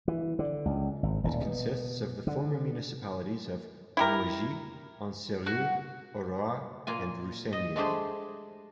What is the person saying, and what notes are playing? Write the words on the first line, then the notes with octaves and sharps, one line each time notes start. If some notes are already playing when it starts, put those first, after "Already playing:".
It consists of the former municipalities of Amougies, Anseroeul, Orroir and Russegnies.
E3
D3
C#2
G#1
D#1
B2
D3
E4 G4 A#4
F#4
A#2 A#3 F4 G#5
D#5
G#3 A3 D4 G4 G#4 C5